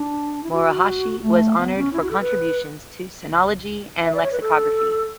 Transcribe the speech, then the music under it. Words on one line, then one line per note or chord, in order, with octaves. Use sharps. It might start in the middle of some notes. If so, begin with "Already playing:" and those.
Morohashi was honored for contributions to sinology and lexicography.
Already playing: D4
E4
F#4
A3
B3
C#4
E4
F#4
A4
B4
E5
D5
C#5
B4
A4